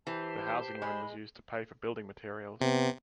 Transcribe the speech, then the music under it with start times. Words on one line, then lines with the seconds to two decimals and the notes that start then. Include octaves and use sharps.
The housing loan was used to pay for building materials.
0.07 E3 G4 C5 A5
0.82 G#3 B5
2.61 C3 B3